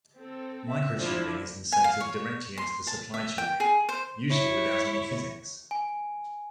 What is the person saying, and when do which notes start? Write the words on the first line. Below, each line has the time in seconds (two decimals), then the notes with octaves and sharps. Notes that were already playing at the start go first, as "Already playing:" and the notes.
Microtubing is inserted directly into the supply tubing, usually without any fittings.
0.18 C4 A4
0.68 E5
0.99 F3 D4 E4
1.72 G#5
1.84 F5
2.00 C#5
2.58 C6
2.87 A5
3.14 E5
3.38 G5
3.60 G#4
3.89 C5
4.30 E4 C#5
5.71 G#5